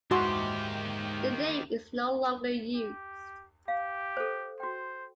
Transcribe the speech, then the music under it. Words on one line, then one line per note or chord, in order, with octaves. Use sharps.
The name is no longer used.
G#2 D#3 E3 F#4 G4 C6
G4
G4 F5
A4 C5
F#4 C5 G5